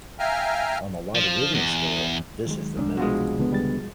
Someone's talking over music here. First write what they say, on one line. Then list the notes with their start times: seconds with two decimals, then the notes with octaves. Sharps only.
On the logarithmic scale, this is the middle.
0.19 E5 F5 G5 G#5 A#5 F6
1.15 F3
1.54 E2
2.47 D#3 F#3 G#3
2.77 C2 G#2 C#4 D4
2.97 B2 F3 G#3 F#4 F5
3.38 C#2 D3 B3
3.53 G3 A6